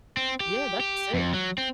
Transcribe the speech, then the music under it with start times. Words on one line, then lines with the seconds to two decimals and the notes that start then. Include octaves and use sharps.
Yeah, that's sick.
0.17 C4
0.40 G4
0.80 G4
1.14 F2
1.34 F#3
1.58 C4